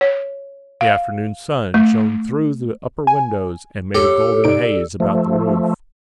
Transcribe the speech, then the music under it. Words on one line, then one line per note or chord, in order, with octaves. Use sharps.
The afternoon sun shone through the upper windows and made a golden haze about the roof.
C#5
F5
A3
G#5
E2 G4 A4 C#5
C3 D#4 D5 D7
F3 A3